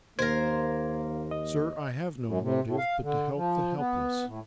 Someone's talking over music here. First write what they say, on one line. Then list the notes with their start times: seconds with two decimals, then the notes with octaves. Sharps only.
'Sir, I have no motive but to help the helpless.'
0.19 D#2 A#3 A#4 C5 G#6
1.31 D#5
2.24 F#2
2.42 C3
2.65 A2
2.78 F5
3.02 D3
3.35 F3
3.77 B3
4.25 A2